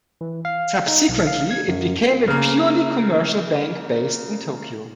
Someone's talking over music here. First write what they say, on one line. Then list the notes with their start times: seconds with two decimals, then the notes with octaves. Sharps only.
Subsequently, it became a purely commercial bank based in Tokyo.
0.21 E3
0.45 F5
0.88 D#4
1.09 B1
1.27 F5
1.51 G#6
1.68 F#2
2.27 C#3 A#3